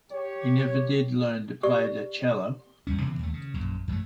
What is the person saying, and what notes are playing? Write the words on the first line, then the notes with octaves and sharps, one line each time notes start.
He never did learn to play the cello.
G4 C#5
G4 D5 C#6
E2 G2 C#4
B2 E3 B3 C4
D#2 A3
C#3
A#1 F#2 A#2
F#2 E3 G#3 A3